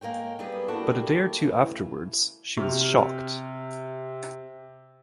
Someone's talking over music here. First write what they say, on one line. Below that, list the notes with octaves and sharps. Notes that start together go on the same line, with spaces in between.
But a day or two afterwards she was shocked.
G#3 A#3 A#4 C#5 G5
G3 B3 C4 G4 G#4 B4
A#3 D4 E4 F#4 G4 A4
C#3 E3 G3 A3
C3 F6